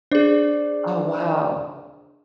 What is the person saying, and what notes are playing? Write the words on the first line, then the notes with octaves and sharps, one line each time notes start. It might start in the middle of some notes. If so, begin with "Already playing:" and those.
Oh, wow.
D4 G#4 C5 D5